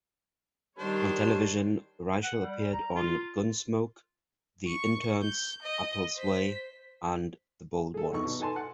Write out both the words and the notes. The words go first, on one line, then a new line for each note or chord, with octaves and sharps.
On television, Reischl appeared on "Gunsmoke", "The Interns", "Apple's Way" and "The Bold Ones".
D#3 G3 D4 C5 C#5
F#5
G3
A#5
F4
C#6
G6
D#5
C5 B6
G#4 A4
E2 D#4 C#6
B2
D#4 A4 B4 G#5 A5 C6
F#5